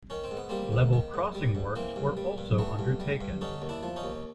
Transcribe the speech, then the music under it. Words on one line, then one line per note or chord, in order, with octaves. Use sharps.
Level crossing works were also undertaken.
D#3 C#4
C4
G#2
B3
G3 A#3 C4
G#2
D#3
G#2
G3
G#2
E3 A#3 C4
G2
G3
G2
E3 A3 B3
G2
G3
G2
D3 C#4 D#4
D#2
D4 E4
F3
C#4 D#4
D#2